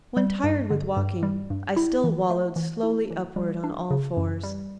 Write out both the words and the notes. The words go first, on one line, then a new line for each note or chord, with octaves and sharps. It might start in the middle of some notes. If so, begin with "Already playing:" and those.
When tired with walking I still wallowed slowly upward on all fours.
G3
G2
D3
G2
G3
G2
E4
E3
A3
E3
E4
E3
G3
D4
C#3
F#2
G3